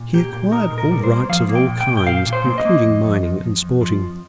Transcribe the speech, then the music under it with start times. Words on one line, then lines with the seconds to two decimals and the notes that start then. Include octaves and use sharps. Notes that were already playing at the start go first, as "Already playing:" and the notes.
He acquired all rights of all kinds, including mining and sporting.
Already playing: A#2
0.14 A#3 G4
0.33 A#2 G4
0.52 D#4 A#4
0.71 A#2
0.78 A#4
0.91 G3
1.04 C5
1.10 A#3
1.29 F3 F5
1.49 A#3
1.55 G5
1.68 A#2
1.81 G5
1.87 A#2
1.97 G5
2.06 A#2 F5
2.26 A#2
2.33 C5
2.45 A#3
2.58 D#5
2.65 A#3
2.84 F2
3.04 F2
3.23 F2
3.42 F2
3.62 F2
3.81 F3
4.01 F2